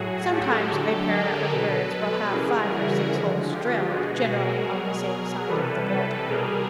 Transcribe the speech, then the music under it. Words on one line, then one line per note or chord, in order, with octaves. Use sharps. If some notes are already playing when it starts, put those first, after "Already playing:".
Sometimes a pair of birds will have five or six holes drilled, generally on the same side of the building.
Already playing: A2 F#3 F#4 G#4
G4 A4
D3 F#3
G#4 A#4
B2 F#3 A4 B4
A4 B4
C#3 E3 G3 G#4 A#4
E4 F#4
D3 F3 G#3
F4 G4
B2 G#3 F#4 G#4
G#4 A#4
B2 F#3
C3 E3 G3 A4 B4
A4 B4
B2 G3 G#4 A#4